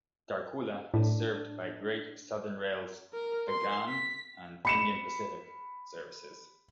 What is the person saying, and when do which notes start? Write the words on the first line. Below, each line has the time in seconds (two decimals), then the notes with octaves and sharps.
Tarcoola is served by Great Southern Rail's "The Ghan" and "Indian Pacific" services.
0.94 A2 D4
3.13 A#4
3.49 C6
3.88 B6
4.65 B5 C#7 E7